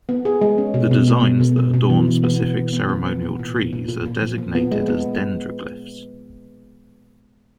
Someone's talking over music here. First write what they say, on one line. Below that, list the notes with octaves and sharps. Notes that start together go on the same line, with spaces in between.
The designs that adorn specific ceremonial trees are designated as 'dendroglyphs.
B3
G#4
G#3
C#4
B2
B2
B2
B2
B2
B2
B2
E3
E3
B3
B3
E3
B3
B3
B3
A#2
A#2
A#2
A#2
A#2
A#2
F3
A#2
B3
G#3
B3